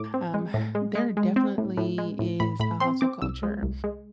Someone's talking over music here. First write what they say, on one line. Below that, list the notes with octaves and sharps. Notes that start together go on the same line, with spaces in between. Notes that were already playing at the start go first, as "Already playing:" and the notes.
um, there definitely is a hustle culture,
Already playing: A2 D6
C4
G#3
A2
G#3
G#3
G#3
C4
A2
A2
G#3
A2
A2 B5
A2 B5
C4 C6
C4 D6
C2 E6
G#3
C2
G#3